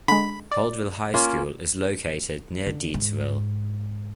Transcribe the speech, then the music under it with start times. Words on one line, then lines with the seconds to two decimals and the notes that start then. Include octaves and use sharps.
Holtville High School is located near Deatsville.
0.08 D3 G#3 B5
0.51 D5
1.14 A#3 C#4 F4
2.66 D3
2.94 G#2